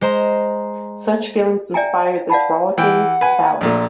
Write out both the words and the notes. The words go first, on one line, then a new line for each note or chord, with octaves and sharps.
Such feelings inspired this rollicking ballad.
G#3 C5 A#5 E7
D5 E5 G5 G#5 A#5
D5 F5 F#5 A5 B5
E3 F#5 G5
B4 G#5
A#1 A#2 A3